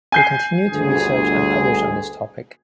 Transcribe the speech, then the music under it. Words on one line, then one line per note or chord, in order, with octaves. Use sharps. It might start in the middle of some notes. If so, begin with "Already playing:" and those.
They continue to research and publish on this topic.
G#5 G6 C7
G1 D2 G#4